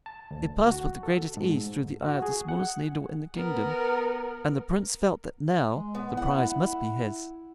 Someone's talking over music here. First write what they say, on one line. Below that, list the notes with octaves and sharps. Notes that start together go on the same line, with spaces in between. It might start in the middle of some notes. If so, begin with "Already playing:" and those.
It passed with the greatest ease through the eye of the smallest needle in the kingdom, and the Prince felt that now the prize must be his.
A5
D2
F#4
A4
G#2
F#4
G#4
F#5
B3 A#4
G#3
B3
E4 F#5